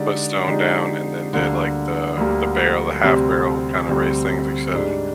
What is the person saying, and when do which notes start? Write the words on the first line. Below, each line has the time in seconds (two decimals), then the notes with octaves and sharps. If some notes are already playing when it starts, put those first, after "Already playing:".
put stone down, and then did, like, the the barrel the half barrel kinda raised things like you said, and
Already playing: D3 G#3 D#4 G4 D5
0.48 D3 G#3 D#4 G4 D5
1.33 D2 D3 G3 A#3
2.17 D2 D3 G3 A#3
3.04 D2 C3 G3 C4
3.88 D2 C3 G3 C4
4.73 G#2 G3 D4